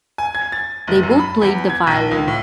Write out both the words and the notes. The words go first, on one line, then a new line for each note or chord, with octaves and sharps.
They both played the violin.
G#5
G#6
A6
F1
F#2
B5
E2
G#6
A#1
C#2
A2